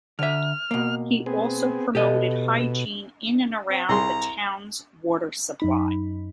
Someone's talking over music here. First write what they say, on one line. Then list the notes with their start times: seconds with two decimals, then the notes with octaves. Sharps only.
He also promoted hygiene in and around the town's water supply.
0.19 D3 E5 F6
0.71 B2 A#3
1.26 B3 C4 G#4
1.95 B2 G4 A4 D#5
3.69 C4
3.89 C2 G#4 A#5 C6
5.60 F#2 D#4 B5